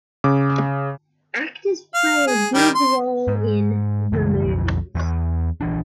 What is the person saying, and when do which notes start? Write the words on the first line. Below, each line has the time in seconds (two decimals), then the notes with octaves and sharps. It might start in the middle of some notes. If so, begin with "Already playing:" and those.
Actors play a big role in "The Movies".
0.24 C#3 D6
1.94 F5
2.27 G#4
2.54 D#3 G3 G5
2.75 C6
3.28 G#2
4.12 F#2 C#3 E3 A3
4.47 B1 F2
4.95 E2
5.61 A#1 E3 D4